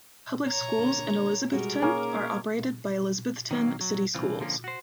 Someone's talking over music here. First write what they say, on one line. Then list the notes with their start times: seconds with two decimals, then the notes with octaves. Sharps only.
Public Schools in Elizabethton are operated by Elizabethton City Schools.
0.48 C#5 A#5
0.78 D3 A#3
1.51 G3 G#3 F#4 A#4
1.82 A#3 C#4 D#4 G#4
3.51 D#3 F#3 A#3
3.81 F#3
4.14 C2 E3 C4 F4
4.40 D3 F3 A#3 C#4
4.64 F#4 C5